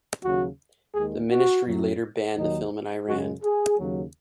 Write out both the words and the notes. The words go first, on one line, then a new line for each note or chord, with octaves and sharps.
The Ministry later banned the film in Iran.
D#2 C#3 F#3 F#4
D#2 D#3 G#3 G#4
F#4
F#2 F#3
D#2 D#3 F#3 D#4
F#2 C#3 G#3 F#4
G#4
D#2 C#3 F#3